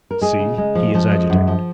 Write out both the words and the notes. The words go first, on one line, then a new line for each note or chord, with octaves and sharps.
'See, he is agitated!'
A#4
G#3 G#4
C#3
G#3
F3
F3
G#3
F#2
F3